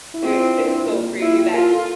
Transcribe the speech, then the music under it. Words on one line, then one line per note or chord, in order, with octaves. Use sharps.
it it's so crazy that,
E4
C4 F4
E4
D4
E4
F4
A#3
A#3
E4 F4
G4
F4 A#4
A4